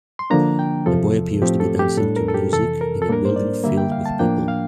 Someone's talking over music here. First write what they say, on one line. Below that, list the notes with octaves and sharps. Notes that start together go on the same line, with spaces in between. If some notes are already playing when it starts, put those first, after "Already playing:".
A boy appears to be dancing to music in a building filled with people.
C6
D3 F3 A#3 D4 A#5
G5
E2 C3 F3 A4
A2 F3 A3 C4 G4
A4
G4
A2 G3 D4 A4
A#4
A4
G4
F2 C3 E3 A4
A#4
A4
A2 G3 A#3 D4 A#4
C5
D5
D3 G3 A#3 E5
G5
F5
A5
A2 F3 A#3 D4 G5
F5